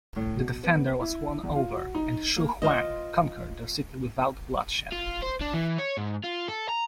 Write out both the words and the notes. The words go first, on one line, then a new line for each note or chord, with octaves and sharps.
The defender was won over and Xu Huang conquered the city without bloodshed.
A2
B2
B3
E4
E2
F4
F#4
D#4
A#3
F4 C5 D#5
F4
C5
D4
E3
C#5
G#2
F4
A4
A#5